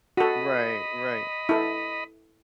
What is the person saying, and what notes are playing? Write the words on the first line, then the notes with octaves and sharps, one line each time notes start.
Right, right,
F#4 A4 D#5 B5
E4 A4